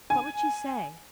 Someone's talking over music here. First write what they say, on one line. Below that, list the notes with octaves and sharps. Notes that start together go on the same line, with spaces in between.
What would she say?
G#5